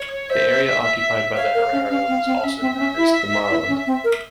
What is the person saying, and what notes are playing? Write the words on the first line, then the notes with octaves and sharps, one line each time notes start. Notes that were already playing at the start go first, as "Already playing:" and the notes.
The area occupied by the Herero was known as Damaraland.
Already playing: C#5
C5 E5
C#5 F5
A#4
C#4
C#4 F5
C4
C4
C#4 E5
C4
C4
C#4
E4
E4
C#4
C4
A#4